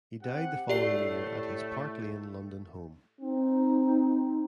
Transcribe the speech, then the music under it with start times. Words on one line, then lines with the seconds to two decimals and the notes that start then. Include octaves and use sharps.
He died the following year at his Park Lane London home.
0.22 C4 G4 F#5
0.69 A2 A3 G4 D5 C7
3.21 C4 D#4